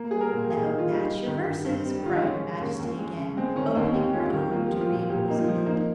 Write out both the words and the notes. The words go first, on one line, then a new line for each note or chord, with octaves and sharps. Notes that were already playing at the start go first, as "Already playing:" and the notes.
"Now match your verses," cried her Majesty again, opening her own to read what was in it.
Already playing: A#3
G3 G#4
A#4
A#2
G4
A#2 G#4
D#4
A#3
F4
G3 D#4
G3
D#3
G2
G2
G3
G4
D#3 F4
D#4
G#3 C#4
C#3
D#2
D#2
G#3
C#3
G#3 C4
D#3 C#4
D#2 D#4
D#2 G4
G#3 F4
G4
D#3
A#3 F4
G4
F3
F4
A#2
F4
A#2 G4
A#3 D#4
F4
F3
A#3 D#4